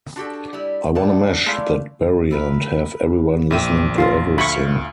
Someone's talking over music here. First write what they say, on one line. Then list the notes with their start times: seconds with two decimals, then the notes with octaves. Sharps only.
I wanna mash that barrier and have everyone listening to everything.
0.16 D4 F#4 G4 A4
0.53 G3 E4
0.95 A2 D3 A5
1.46 G#3 A3 E4 D5 F5
2.31 A#4 B4 E5
3.51 A#1 D5 E5 G5 D#7
3.98 F4 C5 A5 A#5
4.38 D2 F4 E5 F5 B5 C#6